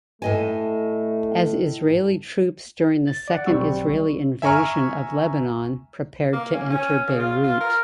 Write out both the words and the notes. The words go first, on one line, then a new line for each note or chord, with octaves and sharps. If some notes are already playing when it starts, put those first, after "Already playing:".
As Israeli troops during the second Israeli invasion of Lebanon prepared to enter Beirut.
A2 A3 D#5 G#5
A6
D5 F#5
B1 G3 C4 C#6 E6
E5 G#5 A#5 C#6 F6
A#3
C#4
C#4
C#3
F4
F4
A#4